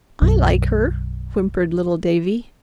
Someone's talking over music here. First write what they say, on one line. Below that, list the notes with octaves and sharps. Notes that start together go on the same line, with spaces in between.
"I like her," whimpered little Davie.
B1 F#2